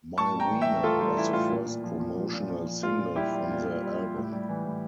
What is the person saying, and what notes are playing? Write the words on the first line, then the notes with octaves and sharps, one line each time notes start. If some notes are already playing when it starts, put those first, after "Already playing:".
"My Wena" was the first promotional single from the album.
A2 A5 C#6
G3
G5 A#5
E3
E5 G5
A2
A2 F4 A4
G3 F4
E3 E4
A2 F4
A#2
A#2
F3
F3
A#2
A#2
F3
F3
A#2 F4
A#2
G3 E4 G4
G3
A#2
A#2
G3
G3
A2
G3
E3
A2